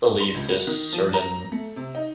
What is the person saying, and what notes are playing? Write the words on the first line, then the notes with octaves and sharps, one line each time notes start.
believe this certain
C6
C#2
F#4
D#3
F3
A#5
A3
C3
D#4